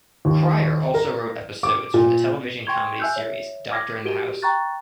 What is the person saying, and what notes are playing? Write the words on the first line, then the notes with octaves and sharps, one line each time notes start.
Cryer also wrote episodes for the television comedy series "Doctor in the House".
D#2
A#4
D6
A#2
G5 C6 C#6 G#6 F7 G7
E5 G#5 E6 F#6 G6
C#5 E5
D6 F6 G#6 A#6
F#4 G4 A#4 D7 D#7 G7
G5 A#5 C#6 F#6 A6